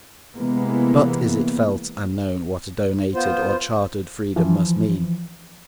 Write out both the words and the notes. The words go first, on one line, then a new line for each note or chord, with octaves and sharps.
But is it felt and known what a donated or chartered freedom must mean?
C3 E3 G#3 A#3 B3
B3 F4 C5
E3 F3